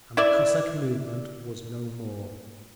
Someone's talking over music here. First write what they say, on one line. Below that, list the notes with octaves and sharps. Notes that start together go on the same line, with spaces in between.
And the Cossack movement was no more....
E4 D5 E5